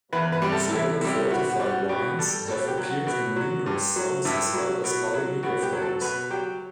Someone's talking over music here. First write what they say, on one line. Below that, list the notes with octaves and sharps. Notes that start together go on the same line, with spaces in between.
Flavored fortified wines have appeared in numerous songs as well as other media forms.
E2 B4
B4
C3 G3
A4
E2 E4
C3 G3 E4
B2 F#4
F#4
G3
F#4
B2 G4
G3 A4
B2 A4
G4
F#3
F#4
B2
F#3
G2
F#3
G2 E4
F#3
B2
F#3
B2 F#4
G4
F#3
A4
B2 B4
F#3 G4